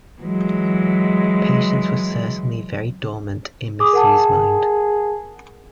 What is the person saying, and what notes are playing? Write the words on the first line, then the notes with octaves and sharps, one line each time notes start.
Patience was certainly very dormant in Miss U.’s mind.
E3 F#3 G#3
G#4 D6 D#6
A#4 F#5 A5